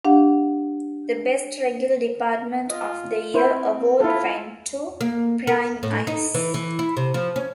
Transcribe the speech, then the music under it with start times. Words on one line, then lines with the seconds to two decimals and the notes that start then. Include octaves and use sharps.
The Best Regular Department of the Year award went to Prying Eyes.
0.05 D4 G4 F5 F#5
2.70 F4 D#5
3.34 C4 E4 C5
4.00 E4 F4 A4
5.01 A#3
5.47 A#4
5.83 A2
6.07 D#4
6.35 E3
6.54 E3
6.79 E4
6.97 C3
7.14 F3
7.36 C#4